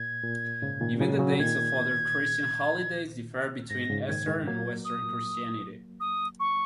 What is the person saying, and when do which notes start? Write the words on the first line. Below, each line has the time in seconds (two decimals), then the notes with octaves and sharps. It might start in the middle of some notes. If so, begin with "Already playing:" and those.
Even the dates of other Christian holidays differ between Eastern and Western Christianity.
Already playing: A#2 G#6
0.23 A#2
0.62 G#2 C#3
0.81 A#2 D#3
1.00 C#3 F#3
1.19 C#3 F#3
1.39 A#2 D#3 G#6
3.70 G#2 A#6
3.89 G#2 C#3
4.08 A#2 D#3 G#6
4.27 D#3 G#3
4.47 F#3 A#3 G#6
4.85 D#6
6.00 D#6
6.40 C#6